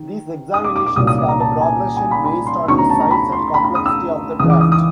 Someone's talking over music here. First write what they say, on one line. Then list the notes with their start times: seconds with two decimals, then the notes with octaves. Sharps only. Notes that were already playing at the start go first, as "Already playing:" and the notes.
These examinations have a progression based on the size and complexity of the craft.
Already playing: D#3
0.54 D#6
0.64 D6
0.76 D6
0.86 D6
0.96 C2 A#2 F#3 D#6
1.07 D#6
1.18 D6
1.28 A#5
1.40 A5
1.61 G#5
1.97 G#5
2.11 B5
2.25 B5
2.47 C6
2.68 D2 C#3 F#3 B3 D#4 C#6
2.78 A#5
2.90 A5
3.00 A#5
3.11 B5
3.32 C6
3.54 B5
3.64 B5
3.75 D#6
3.86 E6
4.39 C#2 C#3 E3 D#6
4.50 D6
4.61 D#6
4.72 D#6